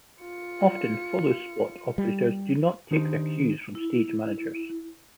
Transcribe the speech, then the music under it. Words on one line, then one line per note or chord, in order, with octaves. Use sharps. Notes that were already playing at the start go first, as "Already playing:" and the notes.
Often followspot operators do not take their cues from stage managers.
F4 C#7
G3
D#3 D4 D#4 G4 C5
E4